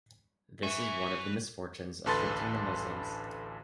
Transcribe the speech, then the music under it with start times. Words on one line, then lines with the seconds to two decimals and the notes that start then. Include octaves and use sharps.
This is one of the misfortunes afflicting the Muslims.
0.63 B4 E5 G#5 C#6
2.06 A1 D2 A4 B4 C6 A6